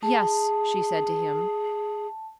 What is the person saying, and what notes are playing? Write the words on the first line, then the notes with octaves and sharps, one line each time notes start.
"Yes," she said to him.
G#4 A5